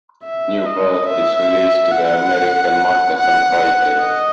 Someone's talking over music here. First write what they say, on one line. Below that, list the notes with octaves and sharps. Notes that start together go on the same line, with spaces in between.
New product is released to the American market on Fridays.
E5
D#5
E5
F#5
F#5
D#5